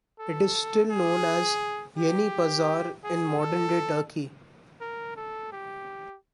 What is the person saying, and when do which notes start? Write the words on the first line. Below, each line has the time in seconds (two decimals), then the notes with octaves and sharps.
It is still known as "Yeni Pazar" in modern-day Turkey.
0.19 A4
0.90 G#4
1.98 G4
3.04 G#4
3.39 A4
4.81 A#4
5.17 A4
5.52 G4